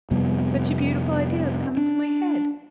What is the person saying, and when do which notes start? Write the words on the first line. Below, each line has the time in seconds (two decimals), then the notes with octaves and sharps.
Such a beautiful idea has come into my head!
0.11 F2 C3 G3 B3
1.77 D4